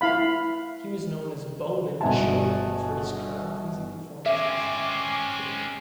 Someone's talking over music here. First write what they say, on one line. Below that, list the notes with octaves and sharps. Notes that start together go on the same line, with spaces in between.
He was known as "Bowman the Showman" for his crowd-pleasing performances.
E4 F5 B5
G1 B2 E5 G#5 A5
G#3 C4 C#4 E5 G#5 D6